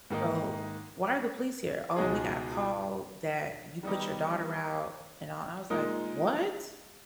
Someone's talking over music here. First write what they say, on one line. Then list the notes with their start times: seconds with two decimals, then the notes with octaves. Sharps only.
So why are the police here?" "Oh, we got a call that you put your daughter out." And, uh, I was like, "What?"
0.10 G#2 D#3 A#3 D#4
1.96 C#2 B2 G#3 D#4 G#4
3.83 D#3 G3 B3 D#4 G4
5.70 A#2 G#3 D#4 A#4